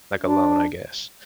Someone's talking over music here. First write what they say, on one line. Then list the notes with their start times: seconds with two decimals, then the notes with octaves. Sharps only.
like, alone I guess,
0.22 D4